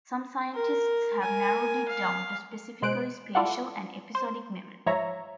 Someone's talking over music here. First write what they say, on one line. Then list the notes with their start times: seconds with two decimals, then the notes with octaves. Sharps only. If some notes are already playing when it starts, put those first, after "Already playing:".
Some scientists have narrowed it down to specifically spatial and episodic memory.
0.54 A#4
1.22 A#4 G#5
1.88 F5
2.82 B2 G#3 C5 F#6 D7
3.35 E4 F4 A4 D5 F5 F#5
4.15 C5
4.86 G#2 F3 C#5 E5 A#5